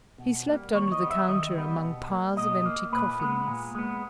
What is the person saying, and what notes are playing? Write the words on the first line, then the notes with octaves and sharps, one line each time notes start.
He slept under the counter among piles of empty coffins.
B2
G3 A#3
D#3 C#5
D#5
G3 B3
E5
D#3 D#5
G3 B3
B2
A#3
B2 D#5
A#3
A#2 B4
G#3 B3
A#2
G#3 B3